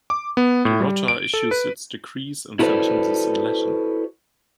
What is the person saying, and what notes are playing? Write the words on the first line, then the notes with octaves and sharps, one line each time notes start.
The Rota issues its decrees and sentences in Latin.
D6
B3
A2
G3
D7
A4
B4
E4 F#4 A4 B4 C5 D5